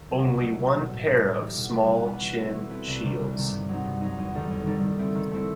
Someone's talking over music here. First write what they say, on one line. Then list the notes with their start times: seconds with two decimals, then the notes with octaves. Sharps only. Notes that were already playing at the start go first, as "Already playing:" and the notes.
Only one pair of small chin shields.
Already playing: D#2
0.09 D#3 F#3 C4
0.25 C2
0.41 B2 A3
0.58 C2
0.74 B2 A3
0.91 A2
1.07 E3 G3 D#4 G4
1.23 A2
1.40 E3 G3 D#4 G4
1.56 B2
1.72 G3 B3 F#4 B4
1.88 B2
2.05 G3 B3 F#4 B4
2.21 E3
2.38 A3 C4 E4 B4
2.54 E3
2.70 A3 C4 E4 B4
2.87 C2
3.03 C3 D#3 G3
3.19 C2
3.36 C3 D#3 G3
3.52 G2
3.69 F#3 C4 D#4
3.85 G2
4.01 F#3 C4 D#4
4.18 E2
4.35 D#3 G3 D#4 A4
4.51 E2
4.66 D#3 G3 D#4 A4
4.83 D#3
4.99 A3 C4 E4
5.15 D#3
5.31 A3 C4 E4